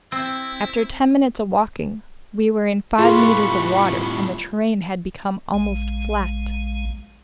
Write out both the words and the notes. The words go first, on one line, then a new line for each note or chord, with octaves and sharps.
After ten minutes of walking, we were in five meters of water, and the terrain had become almost flat.
C4 E4
A2 G3 F4 G#4 A4 B4 C#6
A#1 G#3